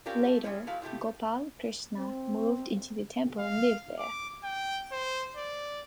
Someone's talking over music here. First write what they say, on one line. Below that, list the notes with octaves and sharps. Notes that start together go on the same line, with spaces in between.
Later Gopal Krishna moved into the temple and lived there.
C4 C#4 F4 G4 A#4 D5
A3
G3 G#3 C#4 E4
G#3 A3 E4 F#4 F5
A2 C3 A3 G4
C4
F5
D6
G5
C5
D5